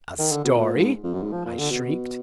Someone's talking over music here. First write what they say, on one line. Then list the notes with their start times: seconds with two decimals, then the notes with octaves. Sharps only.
"A story!" I shrieked.
0.19 D#3
0.32 D3
0.45 B2
0.57 A#2
0.75 G#2
1.04 F2
1.14 F#2
1.23 G#2
1.33 F3
1.46 A#2
1.59 D3
1.71 B2